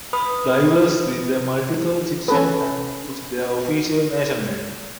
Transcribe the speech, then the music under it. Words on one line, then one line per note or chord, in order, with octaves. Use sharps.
Drivers with multiple citizenship choose their "official" nationality.
B4 B5 D#6
C#4 A4 B4